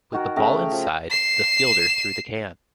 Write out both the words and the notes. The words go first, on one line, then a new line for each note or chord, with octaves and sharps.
With the ball inside, the fielder threw the can.
D#3 F#4 A#4
C#3 A3 G5 A#5
F3
C7 E7